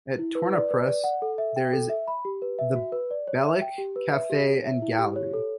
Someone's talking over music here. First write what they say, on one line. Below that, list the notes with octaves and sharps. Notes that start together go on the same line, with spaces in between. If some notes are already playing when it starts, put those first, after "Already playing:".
At Tornapress there is the "Bealach Cafe and Gallery".
E4
B4
D5
B4
D5
F#5
A4
E5
G5
A4
E5
B5
G4
B4
E5
F#4
B4
D5
C#5
E5
G5
G4
B4
E5
G4
C#5
E5
E4
G4
C#5
A4